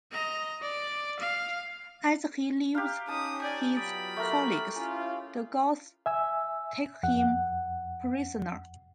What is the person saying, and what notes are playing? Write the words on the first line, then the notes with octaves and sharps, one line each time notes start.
As he leaves his colleagues, the Goths take him prisoner.
D#5 A#5
D5
F5
G4 F5 A#5 F#6
C#4 D#4 A5 D#6
D5 G#5 G6 A6
F#3 B3 F4 B5 D#6 A6 D7
A3 A#4 C#6 D6
C#4 E4 F4 G#5
E5 G#5 E6
F2 F#5